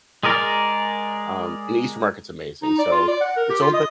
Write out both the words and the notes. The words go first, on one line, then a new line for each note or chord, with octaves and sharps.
Um, and the Eastern Market is amazing, so it's open
G#3 G#4 A#4 D5
D#4
D5
F4
D5
F#5
A#4
G4
F4
D#5